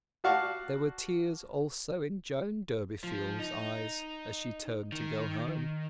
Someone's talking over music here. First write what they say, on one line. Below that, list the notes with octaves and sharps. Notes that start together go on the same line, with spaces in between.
There were tears also in Joan Durbeyfield's eyes as she turned to go home.
F#4 D5 F5 F#5 A5 C#6
F3
D#4
D#3